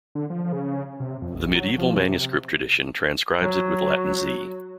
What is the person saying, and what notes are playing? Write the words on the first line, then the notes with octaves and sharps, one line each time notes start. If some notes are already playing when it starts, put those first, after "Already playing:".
The medieval manuscript tradition transcribes it with Latin Z.
D3
F3
C#3
C3
F2
A#1
F#3
F3
C3
C3
F#3